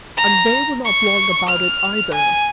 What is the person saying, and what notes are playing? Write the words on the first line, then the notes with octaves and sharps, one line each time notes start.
And they were not long about it either.
A#5
C#6
F6
G#5